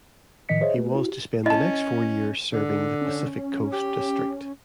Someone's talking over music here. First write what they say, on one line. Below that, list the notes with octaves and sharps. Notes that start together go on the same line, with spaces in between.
He was to spend the next four years serving the Pacific Coast district.
A2 D#3 F3 D#5 B6 C#7
G#4 C5 C#5 D#5 E5
A3 G4 B4
E4 F#4
G4
C#4 E4 D#5 A5
D3
C#4
G4